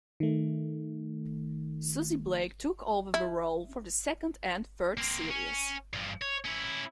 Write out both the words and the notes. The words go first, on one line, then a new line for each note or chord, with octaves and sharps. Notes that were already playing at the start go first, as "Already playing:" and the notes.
Susie Blake took over the role for the second and third series.
D#3 A3
E4
A#3 C4
C#4
G2 F3
C#5
C#4 E4